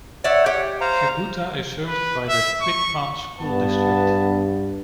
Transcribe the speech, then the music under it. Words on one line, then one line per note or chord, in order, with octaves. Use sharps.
Shubuta is served by the Quitman School District.
C#5 D5 E5 F#5
G4
C5 F5 A#5
B4
E5
C#6
G2 B3 A5